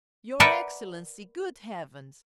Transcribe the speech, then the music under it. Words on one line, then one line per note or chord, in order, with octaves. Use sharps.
"Your Excellency, good heavens!"
A#4 B4 D5 E5 F#5 G5